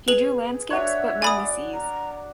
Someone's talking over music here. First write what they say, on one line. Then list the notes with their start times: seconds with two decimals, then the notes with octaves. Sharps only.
He drew landscapes but mainly seas.
0.08 G#4 B4 F7 F#7
0.70 D4 F#4 C#5 E5
1.22 D5 G#5 B5 D#6
1.73 A#5